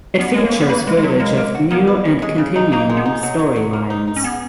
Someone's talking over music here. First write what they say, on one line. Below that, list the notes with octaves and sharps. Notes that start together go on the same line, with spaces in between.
It features footage of new and continuing storylines.
B3 C#4
G#3 G#4
A#3
C#4
B3
A#3 B4
G#3 B4
G#3
F#3 C#4
G#3 A#3
A#3
F#4
A#3 B3
B4
C#4
G#3
C#3
D#4
A#3 D#4
G#3
B3
D#4
F#3
F#3
F#3
A#3
D#4
D#4
C#4
B3 G#4